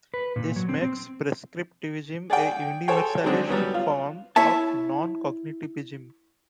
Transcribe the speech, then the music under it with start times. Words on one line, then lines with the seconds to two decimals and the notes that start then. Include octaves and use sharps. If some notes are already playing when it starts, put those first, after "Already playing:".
This makes prescriptivism a universalist form of non-cognitivism.
0.14 B4
0.36 A#2
0.56 F#3
0.69 C4
0.82 C4
2.30 G#4 D5 F#5 G5
2.88 G#4 A4 C5 C#5 G5
3.24 D3 D#3 F#3 G#3 C4 D4
3.49 F#3 G3 B3 C#4
3.74 F4
4.36 E4 C#5 E5 A5